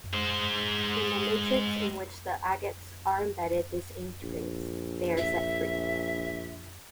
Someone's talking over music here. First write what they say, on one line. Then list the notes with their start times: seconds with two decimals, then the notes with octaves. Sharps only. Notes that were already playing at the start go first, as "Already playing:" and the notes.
When the matrix in which the agates are embedded disintegrates, they are set free.
0.14 G#3 C5
4.24 A#1
5.18 E5